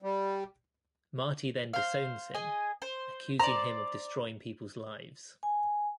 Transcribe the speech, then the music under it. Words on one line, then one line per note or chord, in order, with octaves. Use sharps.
Marty then disowns him, accusing him of destroying peoples' lives.
G3
C5 F5
G#4 D#5 G#5
C5
C5 D5 A#5
G#5